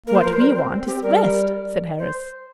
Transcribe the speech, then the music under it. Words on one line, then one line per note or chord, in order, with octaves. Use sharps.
"What we want is rest," said Harris.
A#3 A#4
C5
F3 A#4
C5
G3 A#4
C4 C5
C4
C4 G4
G3 A#4
C5